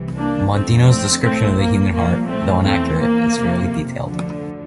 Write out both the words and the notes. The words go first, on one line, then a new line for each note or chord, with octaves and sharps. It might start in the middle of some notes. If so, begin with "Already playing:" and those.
Mondino's description of the human heart, though inaccurate, is fairly detailed.
Already playing: C2 C3 E3
A#3 D4
F2 D3 F3 A3 C4
A3 C4
A#1 A2 E3 A3 C4
A#3
C2 A#2 F3 A#3
A3 C4
E2 E3 A3 C4
A#3
F2 C3 F3
D2 D3 F3